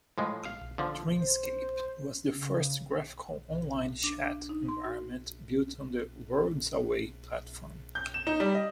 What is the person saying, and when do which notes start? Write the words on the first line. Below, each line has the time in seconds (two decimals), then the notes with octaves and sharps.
"Dreamscape" was the first graphical online chat environment built on the WorldsAway platform.
0.18 A2 F3 G#3
0.45 F5
0.78 D3 F3
1.18 C5
2.30 C#3
4.04 D4
4.24 D4
4.49 D#4
4.68 C6
4.85 F#4
7.95 G6
8.14 E7
8.27 D#4
8.40 G3
8.55 D#5